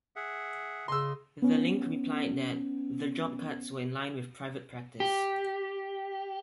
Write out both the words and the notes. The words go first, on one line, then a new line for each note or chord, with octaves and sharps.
The Link replied that "the job cuts were in line with private practice".
G#4 E5 F#5
C#3 D#5 C6 E6
B3 C#4
G4